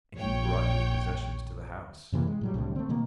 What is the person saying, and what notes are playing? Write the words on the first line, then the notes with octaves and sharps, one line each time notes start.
And he brought his possessions to the house.
A#1 C#5 G5
F#2 C3 E3 A#3
G#3
A2 F#3 G3
C2 A2 D3 G3
A3 C4
B2 D#3 A#3